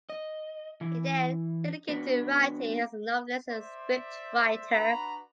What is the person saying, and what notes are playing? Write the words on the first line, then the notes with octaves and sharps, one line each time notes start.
He then dedicated to writing as novelist and scriptwriter.
D#5
E3 E4
B3 D4 F#4 B4
C5 D5 E5
D4 F#4 B4 F#5 A#5 B5